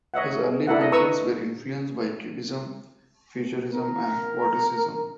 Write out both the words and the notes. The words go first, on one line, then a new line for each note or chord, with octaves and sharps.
His early paintings were influenced by cubism, futurism and vorticism.
C#5 D#5 E5 F#5
G#4
D4 E4 A4 A#4 E5 F#5
D#5
B4 A#5 C#6 D#6 E6
A#4